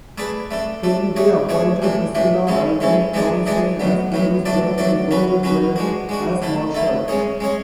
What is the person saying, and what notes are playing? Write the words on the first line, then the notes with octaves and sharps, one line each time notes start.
Ken Day appointed Priscilla Alden Townsend as Police Judge and Roger Bryan as Marshall.
A3 E4 G#4 B4 D5
A3 D4 A4
A3 D4 A4
A3 D4 G#4 C#5
A3 D4 G#4 C#5
A2 E3 A3 D4
A2 E3 A3 D4
E3 G#3 C#4 E4 A4
E3 G#3 C#4 E4 A4
E3 G#3 D4 G#4 D5
E3 G#3 D4 G#4 D5
A2 F#3 B3
A2 F#3 B3
F#3 A3 D4 A4 D5
F#3 A3 D4 A4 D5
F#3 C#4 F#4 B4
F#3 C#4 F#4 B4
G#3 D4 F#4
G#3 D4 F#4
D3 A3 E4 A4
D3 A3 E4 A4
G#3 C#4 G#4 C#5
G#3 C#4 G#4 C#5